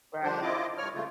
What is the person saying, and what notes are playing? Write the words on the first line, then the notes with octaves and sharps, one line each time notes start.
right. I
F3 G3 D4 C5
E4 F4 D#5 D6
G2 C#5 F6
C#3 A3 F4